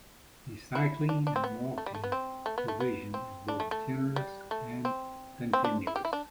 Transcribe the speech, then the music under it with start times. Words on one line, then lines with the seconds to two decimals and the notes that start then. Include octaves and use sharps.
The cycling and walking provision is both generous and continuous.
0.75 E4
1.09 D4
1.27 D4
1.36 C4
1.44 B3
1.78 A3
1.86 G3
1.95 A3
2.04 B3
2.12 C4
2.46 A3
2.58 B3
2.68 A3
2.80 B3
3.14 C4
3.48 D4
3.60 A3
3.71 A3
4.16 G3
4.51 A3
4.85 C4
5.53 C4
5.64 D4
5.87 E4
5.96 G4
6.05 E4
6.13 D4